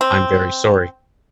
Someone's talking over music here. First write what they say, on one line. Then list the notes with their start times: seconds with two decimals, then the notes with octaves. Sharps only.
I’m very sorry.
0.01 C4